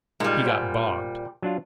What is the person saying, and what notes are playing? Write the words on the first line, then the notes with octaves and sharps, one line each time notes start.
"He got bogged."
A#2 G3 G#3 D#4
C5 F#5 G#5
F#3 D4 F4